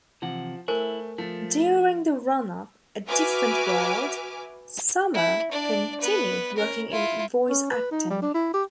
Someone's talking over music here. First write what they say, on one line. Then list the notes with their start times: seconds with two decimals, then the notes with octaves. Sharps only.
During the run of "A Different World", Summer continued working in voice acting.
0.22 C3 E3 F3 F#5
0.68 A3 E4 A#4 C5 G#5
1.18 F3 A3
3.07 F#4 B4 E5 G#5 D6 F6
5.14 E4
5.51 D4 D5
6.01 B3 B4
6.57 C#4 A#4
6.91 E4 F4
7.50 C#4
7.71 B4
7.92 D#4
8.10 G3
8.22 D4
8.34 E4
8.54 G4